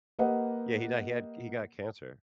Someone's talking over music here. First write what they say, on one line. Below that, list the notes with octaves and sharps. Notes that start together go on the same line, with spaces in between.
Yeah, he di he had he got cancer.
A#3 G4 B4 D#5 F#5